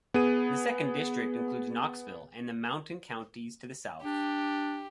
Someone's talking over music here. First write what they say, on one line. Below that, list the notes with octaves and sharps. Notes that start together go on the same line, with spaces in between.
The Second District includes Knoxville and the mountain counties to the south.
B3 G#4 D#7
D4 G4